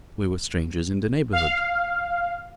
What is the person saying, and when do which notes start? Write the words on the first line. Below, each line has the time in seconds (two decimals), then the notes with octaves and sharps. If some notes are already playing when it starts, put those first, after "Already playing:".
We were strangers in the neighbourhood.
1.33 F5